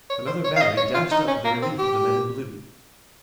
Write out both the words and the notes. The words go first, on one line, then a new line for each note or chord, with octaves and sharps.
Another battery dashed up to the relief of the men in blue.
C#5
C5
C#5
F5
D#5
C#5
F4
D#4
C#4
A#3
C4
G4